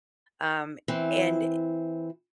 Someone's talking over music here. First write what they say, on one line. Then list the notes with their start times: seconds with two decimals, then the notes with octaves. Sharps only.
um and
0.88 E3 C4